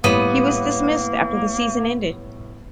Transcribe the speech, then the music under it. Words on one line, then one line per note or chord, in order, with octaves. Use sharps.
He was dismissed after the season ended.
A2 G3 A#3 B3 D#7